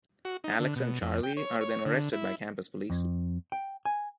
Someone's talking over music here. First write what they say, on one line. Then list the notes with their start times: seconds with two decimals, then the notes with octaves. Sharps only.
Alex and Charley are then arrested by campus police.
0.25 F#4
0.44 D#4
0.60 D3
0.76 B2
1.02 F2
1.23 G5
1.37 C#5
1.61 C#5
1.86 D3
2.13 E4
2.90 F2
3.52 G5
3.85 G#5